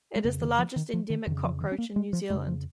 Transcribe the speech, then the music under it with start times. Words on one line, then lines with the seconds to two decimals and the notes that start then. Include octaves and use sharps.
It is the largest endemic cockroach in New Zealand.
0.16 G#3
0.24 F2 C#3 A#3
0.41 D#3
0.58 F3
0.76 D#3
0.93 F3
1.10 D#3
1.27 F2 D#3
1.31 C#3
1.44 F3
1.61 D#3
1.72 C#4
1.78 A#3
1.96 G#3
2.13 F3
2.30 F2 G#3
2.35 C#3
2.47 F3